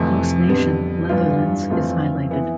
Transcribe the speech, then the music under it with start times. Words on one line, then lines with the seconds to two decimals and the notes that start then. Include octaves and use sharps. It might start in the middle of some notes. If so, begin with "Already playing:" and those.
The host nation, Netherlands, is highlighted.
Already playing: F2 C3 E3 A3
0.49 F2 D3 G3 B3
1.09 G2 E3 B3 D4 F4
1.70 F2 E3 A3 C4 F4
2.31 E3 B3 E4